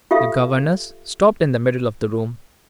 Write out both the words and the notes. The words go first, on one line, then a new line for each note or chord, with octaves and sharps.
The governess stopped in the middle of the room.
F4 G4 A4 E5 F5